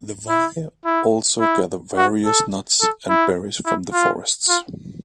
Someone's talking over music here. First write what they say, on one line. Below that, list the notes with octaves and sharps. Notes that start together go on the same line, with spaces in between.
The Vai also gather various nuts and berries from the forests.
E4
E4
E4
F#4
A4
A4
E4
E4
F4
F4